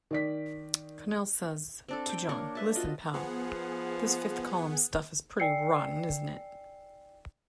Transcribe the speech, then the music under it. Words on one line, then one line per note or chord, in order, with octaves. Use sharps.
Connell says to John: Listen, pal, this fifth-column stuff is pretty rotten, isn't it?
D#3 D5 B6
C4 D4 A4
G5
A#3 D4 A#4 C#5
B4 E5 A5
F4 F#4 D#5
F3 B3 G#4 F#5
D5 G5 G#5 E6 C7 C#7